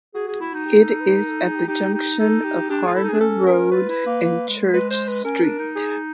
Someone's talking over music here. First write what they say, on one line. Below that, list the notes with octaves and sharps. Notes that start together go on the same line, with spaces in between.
It is at the junction of Harbour Road and Church Street.
F#4 G#4
G#4
E4
D#4
G4
A4
B4
A#4
A4
G#4
G4
D#4 G4
D#4
D#4 A4
G4
D4 G4
F4 G#4
E4 A4
D#4
D4 G#4
C#4 A4
A#4
F4 B4
E4
A#3
A#3
G#3
G#3 B4
C5
B4
C#4 A#4
D4
D#4
G#4